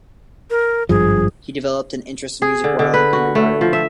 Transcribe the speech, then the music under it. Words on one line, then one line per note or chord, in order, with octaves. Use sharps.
He developed an interest in music while in kindergarten.
A#4
G#1 G2 F3 G#4
G#4
D3
D3
B4
F#4
A3
F3
E5